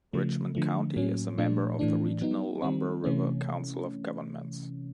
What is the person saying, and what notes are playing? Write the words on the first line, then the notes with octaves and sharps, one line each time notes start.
Richmond County is a member of the regional Lumber River Council of Governments.
C#3 F3 A3
D3 F3 A3
A2 F#3 A#3 C#4
A#2 F3 A3 D4
A2 E3 A3 D4
F#3 B3 D#4
D#3 G3 C4
C3 E3 A3 C#4